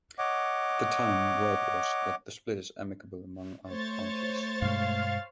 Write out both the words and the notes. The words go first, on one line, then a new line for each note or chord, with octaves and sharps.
At the time, word was that the split is amicable among all parties.
C#5 D#5 F#5 D6
A3 C5 C#5 A6
G2 B2 G#3 F5